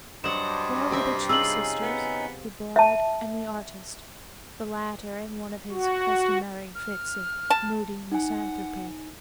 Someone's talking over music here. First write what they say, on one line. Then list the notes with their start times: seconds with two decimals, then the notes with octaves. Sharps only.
There were the two sisters, the bride, and the artist--the latter in one of his customary fits of moody misanthropy.
0.24 G2 F#3 D4 C5 D#5 F#5 E7
0.91 C3 C4 E5
1.29 C#4 D#4 F4 G#4 E6 F#7
1.82 B3
2.76 E5 A5
5.71 F#4
6.75 F6
7.50 A5
8.12 D#4 F#5 G#5